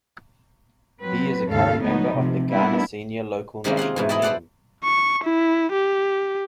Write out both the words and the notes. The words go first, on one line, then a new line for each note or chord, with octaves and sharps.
He is a current Member of the Ghana Senior Local National Team.
F#3 C4 B4
D#2 G#2 C#3 A4 F5
D2 F#3 G#3 B3 D#4
C3 F3
G3 A#3 B3 D4 E4
C3 D#3 G#3 A#3 C4 C#4
F4 G#4 F#5 C6
G#2 B2 E3
E4 G#4 D#5 E5 G5 A5
B4 C5 D5 F#5 A5
C#6
E4
G4